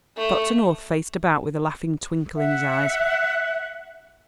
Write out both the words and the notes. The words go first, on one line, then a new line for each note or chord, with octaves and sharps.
Dr. North faced about with a laughing twinkle in his eyes.
A3
E5 F#5